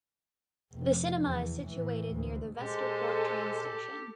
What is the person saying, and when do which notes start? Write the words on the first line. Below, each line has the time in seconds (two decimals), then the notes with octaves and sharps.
The cinema is situated near the Vesterport train station.
0.73 F1
1.21 E2
1.61 A2 E3
2.12 D2
2.58 A#2 G#3 G4 A4 C5